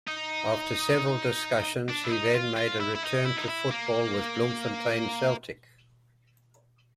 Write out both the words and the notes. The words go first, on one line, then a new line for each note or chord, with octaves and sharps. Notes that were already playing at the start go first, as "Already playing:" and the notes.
After several discussions, he then made a return to football with Bloemfontein Celtic.
D#4
D4
E4
D#4
F4
F4
E4
E4
D#4
E4
D#4
E4
A#3